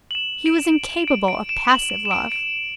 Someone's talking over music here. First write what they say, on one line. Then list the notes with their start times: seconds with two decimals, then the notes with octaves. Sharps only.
He was incapable of passive love.
0.11 F#7
0.15 E7
0.46 D7
1.08 D7
1.28 D7
1.49 E7
1.69 F#7
1.90 E7
2.05 E7
2.11 D7
2.32 D7